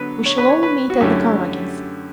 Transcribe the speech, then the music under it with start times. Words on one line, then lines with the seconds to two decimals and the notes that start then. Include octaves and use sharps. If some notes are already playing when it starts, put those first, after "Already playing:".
We shall all meet at the Karagins'!
Already playing: D3 F#3 B3 B4
0.26 C#5
0.38 B4
0.49 C#5
0.63 B4
0.90 F#4
1.00 F#2 D3 A3 C#4 E4 G4